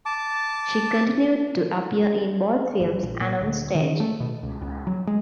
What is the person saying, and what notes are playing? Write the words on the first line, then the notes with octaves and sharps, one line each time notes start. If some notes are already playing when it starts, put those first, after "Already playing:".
She continued to appear in both films and on stage.
A5 D6
G1
A#1
A#2
D2
D#3
A3
B2
C#2
C#2
F#3
G#3